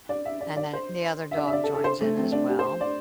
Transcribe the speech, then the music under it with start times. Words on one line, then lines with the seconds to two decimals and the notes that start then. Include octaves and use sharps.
and then the other dog joins in as well.
0.09 D5
0.25 E5
0.41 D5
0.57 D5
0.73 C5
1.31 E5
1.37 D5
1.47 E5
1.53 D5
1.64 A4
1.74 A4
1.84 C5
2.01 A3
2.17 C4
2.32 D4
2.49 G4
2.59 C5
2.81 D5